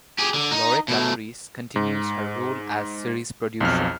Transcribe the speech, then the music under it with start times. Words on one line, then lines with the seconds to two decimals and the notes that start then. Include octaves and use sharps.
Loretta Preece continues her role as series producer.
0.19 G4 G#4
0.34 D3
0.52 D#4
0.88 B2 A3
1.76 G#2
3.61 B1 F2 F6